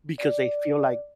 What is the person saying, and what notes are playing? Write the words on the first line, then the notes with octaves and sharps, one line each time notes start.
because they feel like
D5